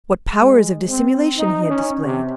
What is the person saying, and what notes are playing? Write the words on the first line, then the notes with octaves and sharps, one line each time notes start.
What powers of dissimulation he had displayed!
G#3
C4
D#4
C#4
C3